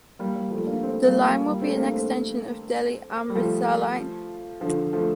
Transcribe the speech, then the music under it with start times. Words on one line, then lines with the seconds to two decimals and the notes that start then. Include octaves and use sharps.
The line will be an extension of Delhi–Amritsar line.
0.19 G3 A#3
0.35 G3 A#3
0.51 F3 A3
0.66 A#3 D4
0.83 A3 C4
1.04 G3 A#3
1.24 G3 A#3
1.46 G3 A#3
1.62 A3 C4
1.77 A#3 D4
1.93 A3 C4
3.30 G3
3.35 F3 A3
4.61 D3 F3
4.93 F3 A3